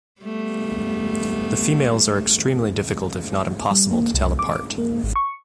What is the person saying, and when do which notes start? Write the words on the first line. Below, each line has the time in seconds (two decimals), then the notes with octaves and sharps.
The females are extremely difficult if not impossible to tell apart.
0.22 G3 A3 B3
3.71 G3
3.91 A#3
4.14 C2
4.39 D6
4.78 A#3
5.03 G#1
5.16 C#6